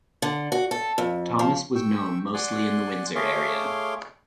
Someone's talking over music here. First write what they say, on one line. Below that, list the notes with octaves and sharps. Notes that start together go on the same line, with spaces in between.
Thomas was known mostly in the Windsor area.
D3
F#4
A4
F2
F3
G5 C#6 E6
D5 F#5 G#5 C6
A3 G#4 C#5 F5 C6 D6